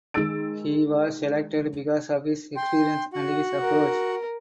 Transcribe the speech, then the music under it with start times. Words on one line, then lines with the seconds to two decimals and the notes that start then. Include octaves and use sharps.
He was selected because of his experience and his approach.
0.14 D#3 G#3 E6 A6 D7
2.56 G5 C6
3.13 F#4 F#5
3.62 A#4